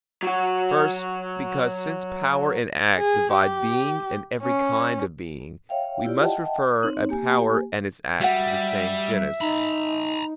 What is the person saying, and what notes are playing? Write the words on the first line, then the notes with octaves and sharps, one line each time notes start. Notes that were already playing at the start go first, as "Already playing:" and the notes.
First, because, since power and act divide being and every kind of being, we must refer a power and its act to the same genus.
F#3 F#4
G#4
G4
C#4
C#5 E5 F5 G5
E4 F4 G4 C#5 D5
D#5 E5 F#5 G5 A5
C4 D#4 C#5
A#3 G4 G#5
G3 F#4 E5 F#5
D#4 A#5 B5